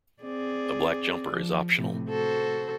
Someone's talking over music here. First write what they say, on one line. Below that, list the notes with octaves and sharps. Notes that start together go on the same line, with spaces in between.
A black jumper is optional.
C4 G#4 D5
F3
A2 C3 F3
F#4 A4 C5